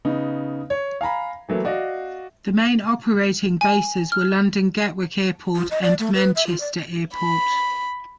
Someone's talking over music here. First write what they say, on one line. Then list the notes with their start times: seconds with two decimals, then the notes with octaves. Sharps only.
The main operating bases were London Gatwick Airport and Manchester Airport.
0.05 C#3 B3 D#4
0.70 C#5
1.01 F5 G#5 A#5 B5
1.49 E3 F#3 A3 A#3
1.65 F#4 D5 D#5 F5
3.61 G#5
4.12 F6
5.56 F4
5.71 D#5
5.83 D5
5.99 A3
6.15 B4
6.36 E5
6.47 F4
6.60 D5
7.15 B5